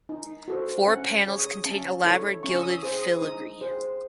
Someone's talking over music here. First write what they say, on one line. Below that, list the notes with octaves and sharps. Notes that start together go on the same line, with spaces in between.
Four panels contain elaborate gilded filigree.
D#4
F#4 A4 C5
C#4 F#5
G#4 C#5
D#6
C#4 A5
E4 A4 C#5
C#4 C#6
E6
D#6
G#4 C5 D#6
D#6
D#4 D#6
G#4 C5